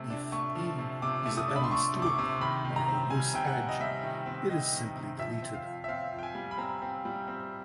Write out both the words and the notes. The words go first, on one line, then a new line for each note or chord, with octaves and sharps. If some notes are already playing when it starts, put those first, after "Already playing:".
If "e" is a balanced loop or a loose edge, it is simply deleted.
Already playing: C3 A3
D4
A3 C#6
F3
C3
C3 D6
A3
D#6
D4
B5
C6
A3 C#6
C3
D6
C#6
C3
D#3 B5
C3
A#5
C4
G3 G#5
C3 G5
F#5
G3
D#5
G3 E5
D#3
C4
C4 D#5
D#3
C3
F2 E5
C4
F5
F2
E5
C4 F5
F2
G5
G#5
G3
B5
C4 A#5
C4
G3
C4